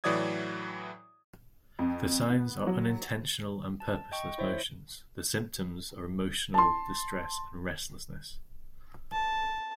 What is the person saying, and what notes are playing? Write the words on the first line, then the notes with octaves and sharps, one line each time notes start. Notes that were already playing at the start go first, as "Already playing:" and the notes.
The signs are unintentional and purposeless motions; the symptoms are emotional distress and restlessness.
A2 E3 F#3 D5 D#6 G#6
F2
B3
F#3
A5
D#5 G5 C#6
E4 C5 C#5 E5
A5 C6
A5